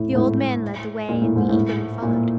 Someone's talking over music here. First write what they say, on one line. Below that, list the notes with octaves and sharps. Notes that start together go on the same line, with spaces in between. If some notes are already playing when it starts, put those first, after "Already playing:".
The old man led the way, and we eagerly followed.
Already playing: A2
G#2
A2
A#2
A2
G#2
A2
A#2